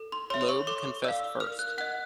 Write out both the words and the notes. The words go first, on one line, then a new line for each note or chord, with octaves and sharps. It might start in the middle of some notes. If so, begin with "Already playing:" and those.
Loeb confessed first.
Already playing: A4
C6
C#5 E5 C6
C6
C#6
A4 D6
D5 F5 E6
A#4 F6
F#6
D#5 F#5 F#6